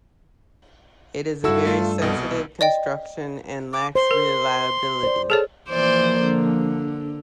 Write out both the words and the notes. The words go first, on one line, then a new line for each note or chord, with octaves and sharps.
It is a very sensitive construction and lacks reliability.
G2 E4 F#4 A4 E6
A3 F4
C2 B2 D#5
D5 D#5 G5
D6
C5 C6
A#4
C5 D5
G#4 A4 C#5 A5
E3 F3 A#3 C5 D5
D3